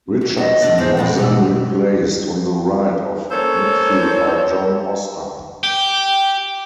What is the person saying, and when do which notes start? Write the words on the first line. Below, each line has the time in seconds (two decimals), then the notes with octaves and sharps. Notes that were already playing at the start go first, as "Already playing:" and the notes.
Richardson was then replaced on the right of midfield by John Oster.
0.21 D#2 F#4
0.38 B3 F#4 D#5
0.62 D3 D4
0.78 G#2 G#3 C5
0.97 A#2 G#3 C4 F#5
1.17 B2 D3 E3
3.31 A#3 C#4 A4 C5 C#5
5.63 G4